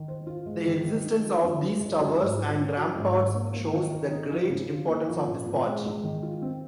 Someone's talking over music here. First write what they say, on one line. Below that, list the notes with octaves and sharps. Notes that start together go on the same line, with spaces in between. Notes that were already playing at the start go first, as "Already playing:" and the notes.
The existence of these towers and ramparts shows the great importance of this part.
Already playing: D#3
C5
F4
G#3
D#3
D#3
D#4
F3
F#2
C#4
G#3
F#3
G#2
F4
C#4
F#3
G#2
G#2
A#3
A#3
D#3
A#4
D#4
F3
C#3
F4
A#3
F3
A#2
A#2
G#3
G#3
D#3
F4
C4